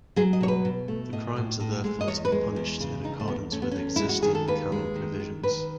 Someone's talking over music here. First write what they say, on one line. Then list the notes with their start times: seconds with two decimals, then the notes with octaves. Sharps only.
The crimes are therefore to be punished in accordance with existing canon provisions.
0.16 F#3 G#4
0.33 D#5
0.41 B2 C#5
0.48 B4
0.65 B2
0.88 A3
1.13 A2 D#5
1.36 A2
1.60 A2
1.84 G#3
2.01 D#5
2.08 E2 C#5
2.25 B4
2.32 G#3
2.56 E2
2.80 C#3
3.04 E2 D#4
3.20 A3
3.28 E2 B3
3.52 A3 C#4
3.62 B3
3.71 E2 C#4
3.96 G#3 E4
4.09 F#4
4.23 D#3 G#4
4.35 A4
4.48 D#2 B4
4.72 G#3
4.96 D#3
5.20 D#3
5.43 D#3 B4